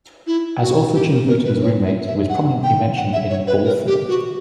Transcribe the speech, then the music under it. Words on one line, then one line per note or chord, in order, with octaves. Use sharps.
As author Jim Bouton's roommate, he was prominently mentioned in "Ball Four".
E4
F#4
G4
A#4
A#4
B4
C#5
E5
E5
F#5
G5
F#5
E5
C#5
B4
A#4
G4
F#4